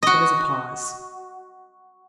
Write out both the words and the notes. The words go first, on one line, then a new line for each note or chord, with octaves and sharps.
There was a pause.
F#4 D#5